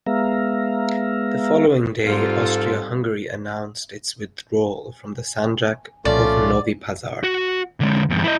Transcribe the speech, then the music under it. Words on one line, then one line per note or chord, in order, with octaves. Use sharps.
The following day, Austria-Hungary announced its withdrawal from the Sanjak of Novi Pazar.
G#3 B3 E5 F5 A#5
G#2 G3 C4 F4 A4
C2 A#2 F3 A3 C#4 F4 A4 D5
F#4
D3 G#3
E2 G2
E4 D#5